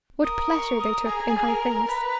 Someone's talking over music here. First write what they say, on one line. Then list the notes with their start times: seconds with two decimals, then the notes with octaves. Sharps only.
What pleasure they took in high things!
0.23 A#4 D#6
0.51 C#6
0.79 D#6
1.06 G#4 A#5
1.27 G#5
1.48 A#4 A#5
1.70 A#5
1.89 B4 A#5